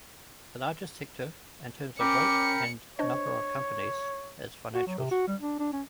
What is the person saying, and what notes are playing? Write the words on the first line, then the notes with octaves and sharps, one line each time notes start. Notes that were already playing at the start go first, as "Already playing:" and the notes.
The largest sector, in terms of weight and number of companies, is financials.
C#4 A#4 G5 B5 D6 C#7
D4 C5 C#5 D#5
F#4
F#3
C3
F#4
G3
D4
D4
C#4